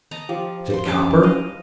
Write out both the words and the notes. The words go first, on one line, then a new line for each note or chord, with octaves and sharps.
"Is it copper?"
D#5 A5 A#5
F3 G4
C5 C6
F3 C#4 D4 G4 A5 D6
D#5 F5